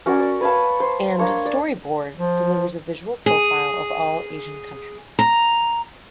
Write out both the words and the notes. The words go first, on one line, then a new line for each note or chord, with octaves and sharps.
And "Story Board" delivers a visual profile of all Asian countries.
C#4 F#4 A#4 D5
D5
B4 C#5 F5 A5
C5
A#3 D4 C#5 A#5
D5
F3
G#4
A#5